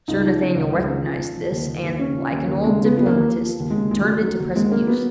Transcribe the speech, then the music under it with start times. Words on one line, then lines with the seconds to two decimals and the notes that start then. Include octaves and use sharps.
Sir Nathaniel recognised this, and, like an old diplomatist, turned it to present use.
0.08 C#2 D#4
0.24 F3
0.40 C#3
0.56 C#2
0.72 C#2
0.88 C#3
1.04 F3
1.19 F3
1.36 F3
1.52 D#2
1.67 D#2
1.84 D#2
1.99 C#3 C#4
2.16 F3
2.32 D#2
2.48 D#2
2.64 C#3 G#3
2.79 C#3
2.85 B3
2.96 F3 B3
3.06 A#3
3.12 D#2
3.27 F3
3.44 F3
3.60 D#2
3.70 C#3 G#3
3.91 D#2 G#3
4.02 F#3
4.08 D#2
4.21 F#3
4.40 D#2
4.55 D#2 G#3
4.71 F#3 A#3
4.87 F#3 B3